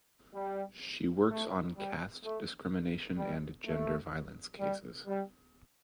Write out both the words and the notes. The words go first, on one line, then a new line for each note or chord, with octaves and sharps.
She works on caste discrimination and gender violence cases.
G3
A3
G3
A3
G3
A3
G3
G3